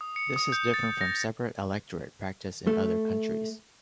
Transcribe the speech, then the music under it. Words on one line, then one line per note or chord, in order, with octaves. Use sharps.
This is different from separate electorate practiced in other countries.
D#6
C#7
D#6
G6
A6
A#6
A3